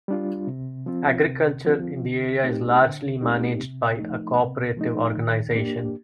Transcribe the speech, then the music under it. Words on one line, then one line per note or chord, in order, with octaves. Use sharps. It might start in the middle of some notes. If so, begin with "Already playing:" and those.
Agriculture in the area is largely managed by a cooperative organization.
G3 D4 F4
C3
F3 C4 F4
C3
F3 C4 F4
D3
A3 C4 D#4 G4
D3
A3 C4 D#4 G4
C3
F3 A3 D#4
C3
F3 A3 D#4
D#3
A#3 D4 G4